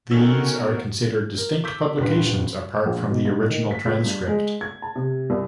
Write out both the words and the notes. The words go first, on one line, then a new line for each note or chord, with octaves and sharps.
These are considered distinct publications apart from the original "Transcript".
B2 D#3 A3 C#4 F#4 A#4 E6
A#4
D6 E6 G6 B6
D#1 G2 F4 B4 C6 B6
A#1
B2
G#2
D#3
B6
C#2
G2
G#3
G#6
A5
C3
C2